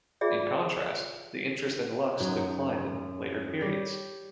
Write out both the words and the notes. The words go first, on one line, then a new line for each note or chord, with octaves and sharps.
In contrast, the interest in Lux declined in later periods.
F4 G#4 D5 E5
F#2 F#3 D#4
G3 G4 C#5